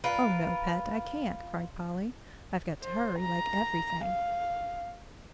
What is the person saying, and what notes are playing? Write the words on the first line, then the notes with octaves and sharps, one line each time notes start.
"Oh, no. Pet, I can't," cried Polly, "I've got to hurry like everything!"
F4 A#4 B4
C5
A#5
F5